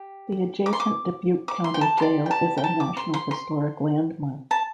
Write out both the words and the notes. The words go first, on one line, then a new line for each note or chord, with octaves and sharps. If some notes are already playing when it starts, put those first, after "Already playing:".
The adjacent Dubuque County Jail is a National Historic Landmark.
Already playing: G4
D6
C6
D6
D6
C6
G5
A5
G4 D5 C6
G5
A5
G5
A5
D6
C6
C6
C6
A5